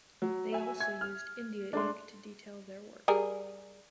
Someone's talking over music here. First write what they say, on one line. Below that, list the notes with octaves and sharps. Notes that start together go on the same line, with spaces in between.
They also used India Ink to detail their work.
F#3
E5 G#5
G#6
F6
G#3 A3 D4 C6
G3 G#4 A#4